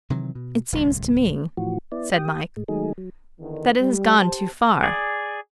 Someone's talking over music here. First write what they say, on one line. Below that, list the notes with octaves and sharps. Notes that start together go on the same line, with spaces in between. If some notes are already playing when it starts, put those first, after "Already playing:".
'It seems to me,' said Mike, 'that it has gone too far.
C3 D#3 E3 F#3
B2
D1 C2 A2
A2 E3 F3 F#4
B3 E4 D5
G4 G5 D#6
A2 G#3
D#3 F#3 G#3 A3 D#4 G#4
F#3
E2 D3 D#3
G3
G4 C5 A5
G#4 D5